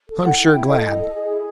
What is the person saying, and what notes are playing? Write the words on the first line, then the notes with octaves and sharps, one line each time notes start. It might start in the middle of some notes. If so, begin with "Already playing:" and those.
I'm sure glad.'
A4
E4 F#5
E4
G5
E4
A4 D#5
E4
A4
G#4
E4